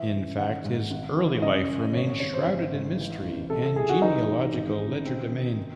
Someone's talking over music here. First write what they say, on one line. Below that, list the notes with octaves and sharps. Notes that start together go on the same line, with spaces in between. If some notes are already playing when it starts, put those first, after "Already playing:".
In fact, his early life remains shrouded in mystery and genealogical legerdemain.
Already playing: E3 E5
C#3
D#3 F#5
G#2
G#1
E3
C#3 D#5
C#3
G#1 C#5
C#5
G#1 C#5
C5
G#1 C5
G#2
E3
A1
C3 A4
A4
C2 G#4
F#4
E3 D#4
E3
G#1
C#3
C3 C4
D#3
D#3